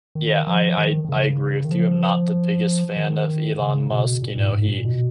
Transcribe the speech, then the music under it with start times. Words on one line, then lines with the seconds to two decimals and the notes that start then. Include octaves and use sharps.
yeah, I I I agree with you, I'm not the biggest fan of Elon Musk, you know, he
0.15 D#3
0.47 F3
0.78 D#3
1.05 D#3
1.09 C#3
1.64 D#3
1.71 F3
2.97 D#3
3.59 C#3
3.91 B2
4.22 A#2
4.37 G#2
4.52 G#2
4.68 A#2
4.85 B2